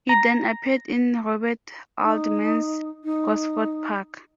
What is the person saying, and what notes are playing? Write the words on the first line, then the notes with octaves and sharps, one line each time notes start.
He then appeared in Robert Altman's "Gosford Park".
A#5
D#4
D#4